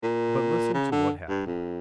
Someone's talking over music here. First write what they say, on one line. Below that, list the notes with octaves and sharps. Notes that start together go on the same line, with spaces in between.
But listen to what happened.
A#2
C#3
D3
G2
F2